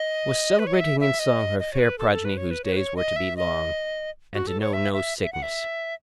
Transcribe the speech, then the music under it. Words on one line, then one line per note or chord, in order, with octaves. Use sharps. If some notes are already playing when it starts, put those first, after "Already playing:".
'Was celebrating in song her fair progeny whose days were to be long, and to know no sickness.
Already playing: D#5
B4
C#5
D#5
E5
E5
D#5
D#5
C#5
B4
A4
A4
B4
C#5
B4
C#5
B4
C#5
D#5
E5
D#5
F#4
A4
C#5
E5
E5
E5
F#5
E5